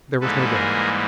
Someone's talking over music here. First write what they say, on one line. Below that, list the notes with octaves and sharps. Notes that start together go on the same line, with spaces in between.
There was no doubt of it.
G#2 E3 G3 A#3 A4 B4
G#4 A#4